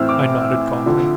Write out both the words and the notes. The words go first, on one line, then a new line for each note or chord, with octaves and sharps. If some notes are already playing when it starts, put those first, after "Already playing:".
I nodded calmly.
Already playing: A2 E3 A3 C4 E6 F6
D6
F2 D3 F3